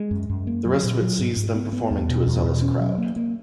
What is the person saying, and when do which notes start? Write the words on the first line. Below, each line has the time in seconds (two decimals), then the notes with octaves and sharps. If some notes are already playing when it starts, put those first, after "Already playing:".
The rest of it sees them performing to a zealous crowd.
Already playing: G#3
0.11 F#2
0.29 F#2
0.47 A#3
0.66 F#3
0.84 A#2
1.02 F#3
1.19 G#2
1.37 G#2
1.55 B3
1.73 B3
1.91 E2
2.09 B2
2.27 E2
2.44 B2
2.62 C#4
2.80 F#3
2.98 A#3
3.16 A#3